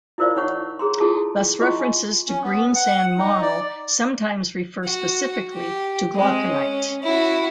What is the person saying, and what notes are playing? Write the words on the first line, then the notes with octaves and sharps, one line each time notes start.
Thus references to "greensand marl" sometimes refer specifically to glauconite.
E4 F4 A#4 C5 D5 F5
D#4 C#5 F#5 C#6
G#4 A#5 C6
E4 F4 G#4 A4 A5
E4 F4 D#5 C6 C#6
G#5
C#4
B3
F#5
D#4
D5
F#4
G4
G#3 C4
C#4
E4 F#4